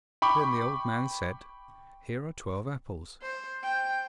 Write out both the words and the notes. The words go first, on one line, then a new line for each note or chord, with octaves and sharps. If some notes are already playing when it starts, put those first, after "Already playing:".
Then the old man said, 'Here are twelve apples.
G5 B5 C#6 D6
C5
G5